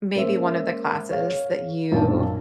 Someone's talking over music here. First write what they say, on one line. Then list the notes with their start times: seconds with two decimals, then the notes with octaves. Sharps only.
maybe one of the classes that you
0.15 G#3 A#3 C#4 C5 E5
1.10 G#4 C#5 F5
1.92 B1 F#2 A#2 D4 A5